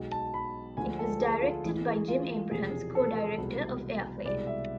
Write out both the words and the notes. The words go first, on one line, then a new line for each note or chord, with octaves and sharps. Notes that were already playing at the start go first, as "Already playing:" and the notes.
It was directed by Jim Abrahams, co-director of Airplane!
Already playing: B1 B2 G#3
A5
B5
D2 D3 F3 G#3 G#5
A4
G#4
F4
A1 A2 E3 G#3 G#4
G#4
F4
E1 E2 C3 F3 G#4
A4
C2 B2 G#3
C2 B2 G#3 D5
E5